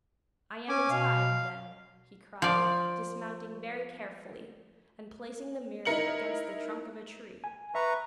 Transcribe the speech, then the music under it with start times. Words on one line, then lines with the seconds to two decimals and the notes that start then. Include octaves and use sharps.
'I am in time, then,' he cried, dismounting very carefully, and placing the mirror against the trunk of a tree.
0.68 C#4 G#5 D6
0.90 B2 F5
2.42 F3 D5
5.85 D#4 E4 A#4 C#7 F#7
7.44 G#5
7.75 B4 E5 A#5 C#6